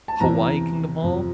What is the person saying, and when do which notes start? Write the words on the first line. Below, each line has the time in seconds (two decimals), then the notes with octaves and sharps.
Hawaii Kingdom Hall?
0.08 A5
0.20 E2 C3 E3 A#5
1.02 F2 C3 F3